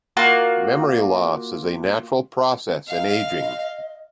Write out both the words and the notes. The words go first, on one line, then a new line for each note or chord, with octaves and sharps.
Memory loss is a natural process in aging.
A#3 F4 F#4
D#5 F5